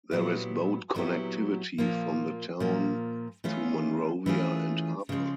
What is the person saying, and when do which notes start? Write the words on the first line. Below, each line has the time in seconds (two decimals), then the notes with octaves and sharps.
There is boat connectivity from the town to Monrovia and Harper.
0.11 A#2 F#3 B3 E4 G4
0.95 A#2 F#3 B3 E4 G4
1.78 A#2 F3 A#3
2.60 A#2 F3 A#3
3.44 E3 A3 C#4 F4 G#4
4.26 E3 A3 C#4 F4 G#4
5.09 C#3 F3 G#3